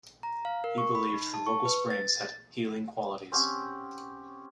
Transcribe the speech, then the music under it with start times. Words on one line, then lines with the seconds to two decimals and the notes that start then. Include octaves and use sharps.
He believed the local springs had healing qualities.
0.23 A#5
0.45 F5
0.64 A#4
0.78 C#6
0.95 B5
1.13 D#4
1.34 A5
1.46 C#6
1.65 B4
1.90 A6
3.32 C4 C#4 G4 F#5